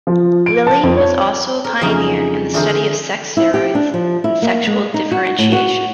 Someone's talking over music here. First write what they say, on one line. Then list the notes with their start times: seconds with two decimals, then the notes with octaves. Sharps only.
Lillie was also a pioneer in the study of sex steroids in sexual differentiation.
0.07 F3
0.46 D7
0.67 A5
0.83 F2
0.97 C#5
1.64 A#4
1.81 F2 C#3 E3 F#3 C#4 D#4
2.54 D3 E3 A3 G#4 A#4 C5
3.37 E4
3.54 G4
3.75 D4
3.94 F3
4.24 E4
4.42 A#3
4.67 G#3
4.94 D#4
5.12 F#4
5.39 A2
5.52 F#4